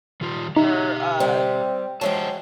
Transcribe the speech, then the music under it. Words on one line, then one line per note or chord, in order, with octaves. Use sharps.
her, uh,
D#3 G3 F4
D#4 G4 E5
G3 C4
F#3 G#3 C5 E5 G5 A5